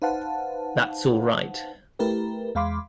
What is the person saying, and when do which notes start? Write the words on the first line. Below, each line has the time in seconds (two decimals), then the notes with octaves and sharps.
That’s all right.
0.02 D#4 B4 C5 F5 F#5 A5
1.99 A3 E4 G4 A#4 B4
2.55 E2 G#3 F5 B5 C6 D6